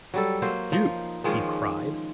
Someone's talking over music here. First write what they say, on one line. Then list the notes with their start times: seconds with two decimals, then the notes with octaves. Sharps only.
"You?" he cried.
0.14 F#3 G3 A4
0.42 F#3 A#3 C5
0.72 F3 D#4
1.24 D#3 F3 G#3 C#4